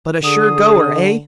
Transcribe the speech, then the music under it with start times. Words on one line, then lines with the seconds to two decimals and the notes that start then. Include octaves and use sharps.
"But a sure goer, eh?"
0.24 D3 G#4 D#6